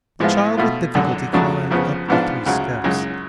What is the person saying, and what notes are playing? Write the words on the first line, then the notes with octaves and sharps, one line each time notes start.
The child with difficulty climbed up the three steps.
A2 F3 G#3 B3 F4
B2 A3 F4
G#1 F#2 D3
F2 C#3 F#3 A3 D4
F2 C#3 F3 B3
G#2 F3 B3 D4 F4
D2 C#3 F#3
F#2 C#3 G#3